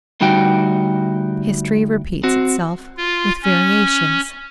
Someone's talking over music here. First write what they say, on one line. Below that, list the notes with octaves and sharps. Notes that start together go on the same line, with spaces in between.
History repeats itself--with variations.
D2 G3 D#4 F#4 G5
C4 F#4
F4
C#4